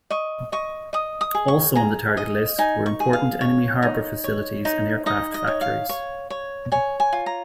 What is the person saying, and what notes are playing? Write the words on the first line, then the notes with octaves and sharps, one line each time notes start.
Also on the target list were important enemy harbor facilities and aircraft factories.
D#5 C#6
D#5 C#6
D#5 D#6
D#6
G#4
C#6
G#4 A#5
D#5
D#4 G#5
C#6
G#4
F5
C#5
D#4
C#5
D#4
D#4 D#5
D#5
C#5
F5
C#5
C#5
C#5 G#5
G#5
F4
A#5